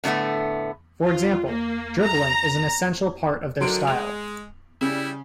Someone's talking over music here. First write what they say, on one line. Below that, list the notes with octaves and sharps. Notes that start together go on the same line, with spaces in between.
For example, dribbling is an essential part of their style.
A2 D3 G#3 A3 B3
F4
A#3
A#5
D3 D#3 F#3 C6 D7
G#3 F7
C#3 G3 E4